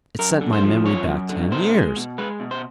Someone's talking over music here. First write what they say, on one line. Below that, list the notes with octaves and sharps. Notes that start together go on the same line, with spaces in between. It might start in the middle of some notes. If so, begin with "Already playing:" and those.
It sent my memory back ten years.
F#2 A#4
D3
C5
F3
F#2 C#5
F#2
D3
B2 C5
G#3
B2
G#3 B4
B2
C5